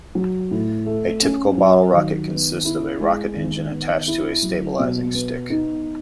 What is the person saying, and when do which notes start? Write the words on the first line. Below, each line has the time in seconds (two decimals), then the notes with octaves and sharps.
A typical bottle rocket consists of a rocket engine attached to a stabilizing stick.
0.15 F#3
0.51 A2
0.86 A3
1.22 C#4
1.58 F#3
1.94 D#3
2.29 B3
2.65 E4
3.00 G#3
3.36 D#3
3.71 B3
4.08 E4
4.43 F#3
4.79 B2
5.15 B3
5.50 D#4